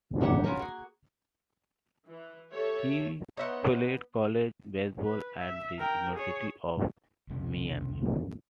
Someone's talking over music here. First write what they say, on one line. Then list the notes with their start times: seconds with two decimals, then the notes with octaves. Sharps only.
He played college baseball at the University of Miami.
0.21 D4 D#4 G4 C#5 F#5
0.44 F3 B3 C#4 F#4 A#4 C#5
0.60 A#3 F#4 G#4
2.06 E3
2.51 G4 A4 C#5 E5
3.37 B3 D#4 C5 C#5 D#5 E5 F#5 C#6
5.04 B4
5.39 E5
5.79 A#4 G5
6.16 G#4 C#5
7.29 C2 F2 B2